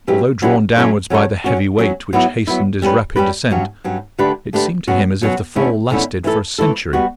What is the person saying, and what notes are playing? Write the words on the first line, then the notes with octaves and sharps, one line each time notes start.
Although drawn downwards by the heavy weight which hastened his rapid descent, it seemed to him as if the fall lasted for a century.
F#3 C#4 E4 G4 B4
F#3 C#4 E4 G4 B4
F#3 C#4 E4 A4 C#5
F#3 C#4 E4 A4 C#5
F#3 C#4 F#4
F#3 C#4 F#4
F#3 B3 E4
F#3 B3 E4
G3 C#4 G4 B4
G3 C#4 G4 B4
G2 F#3 C#4
G2 F#3 C#4
D3 A3 D4 G4 B4
D3 A3 D4 G4 B4
B2 F#3 C#4 F#4
B2 F#3 C#4 F#4
E2 D3 A3 C#4 E4
E2 D3 A3 C#4 E4
E3 A3 E4 A4
E3 A3 E4 A4
G3 B3 F#4